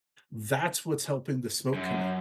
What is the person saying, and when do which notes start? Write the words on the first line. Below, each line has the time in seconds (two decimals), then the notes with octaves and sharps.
that's what's helping the smoke come in.
1.74 F#2